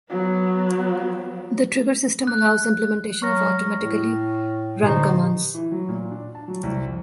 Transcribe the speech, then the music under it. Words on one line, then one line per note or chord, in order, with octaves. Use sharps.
The trigger system allows implementation of automatically run commands.
F#3 B3
F#6
F#3 C#6 F6 A#6
A2
A#2 D3 D#4 G4 C5
E3
F#3
A#2
D4
A5
F#3
C2
F2